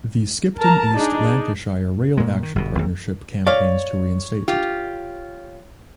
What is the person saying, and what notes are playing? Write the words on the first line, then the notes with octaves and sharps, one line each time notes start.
The Skipton-East Lancashire Rail Action Partnership campaigns to reinstate it.
A#4 A5 A#5
D4 D#4 G#4
A#2 G#3
D#3
G1 B2
G#1 D#2
C#5 D5 F5
F4 G4